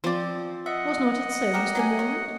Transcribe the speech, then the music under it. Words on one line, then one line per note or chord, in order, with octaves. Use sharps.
Was not it so, Mr. Morland?
F3 C4 C5 D5
D#5 E5 F#5
F#4 G4 A#4
F#3 G4 G#5
C#5